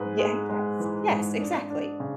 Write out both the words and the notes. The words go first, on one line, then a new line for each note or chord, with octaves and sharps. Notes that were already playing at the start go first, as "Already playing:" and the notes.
Yeah, yes, yes, exactly,
Already playing: G#2 G#3 B4
G#3
G#3
E3
G#2
D4
D4
C#3